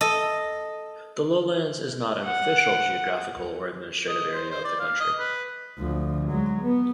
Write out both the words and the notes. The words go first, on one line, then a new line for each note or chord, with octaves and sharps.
The Lowlands is not an official geographical or administrative area of the country.
A4 D#5
F#5
D#5
C5
C5
D5
F5
D#5
B4
D2 F3
F#3 G#3
B3